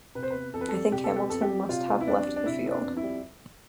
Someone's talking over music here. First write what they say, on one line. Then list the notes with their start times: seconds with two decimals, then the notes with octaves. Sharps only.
I think Hamilton must have left the field.
0.15 C3 B4
0.23 C5
0.30 B3 B4
0.54 F2 A4
0.61 B4
0.68 G3 A4
0.91 C3 G4
1.04 A4
1.11 B3
1.16 G4
1.30 F2 A4
1.42 G4
1.49 G3
1.69 C3 F4
1.88 B3
2.00 E4
2.07 F2 D4
2.27 G3
2.36 D4
2.46 C3 E4
2.64 B3 E4
2.71 D4
2.84 F2
2.97 E4
3.03 G3